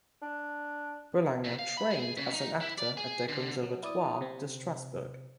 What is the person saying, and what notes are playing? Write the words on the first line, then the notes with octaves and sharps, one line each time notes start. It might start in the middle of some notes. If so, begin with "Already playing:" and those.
Boulanger trained as an actor at the Conservatoire de Strasbourg.
D4
C3
F5
B5
G#4
C#3
D#4
E4
D5
G#4
D3
F#3
E4 D5 D#6
C3 C4